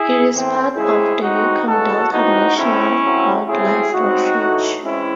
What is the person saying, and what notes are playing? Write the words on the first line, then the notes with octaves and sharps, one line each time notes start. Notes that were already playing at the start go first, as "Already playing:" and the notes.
It is part of the Yukon Delta National Wildlife Refuge.
Already playing: E4 G#4
A2 E3 C4
C#3 G#3 C4 E4 G#4
A2 G#3 C4 D#4 F#4
C#3 E3 G#3 F#4 A4
A2 E3 C4 D#4 F#4
A2 G#3 C4 C#4 E4
A2 F#3 A3 C4
C#3 F#3 A3 C4 E4 G#4
C#3 G#3 C4 D#4 F#4
A2 E3 A3
E3 G#3 C4 C#4 E4